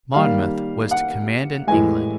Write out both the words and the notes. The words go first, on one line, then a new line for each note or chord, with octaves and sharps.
Monmouth was to command in England.
D#3 G3 A#3 F5
F#5
A2 E3 G#3 G#5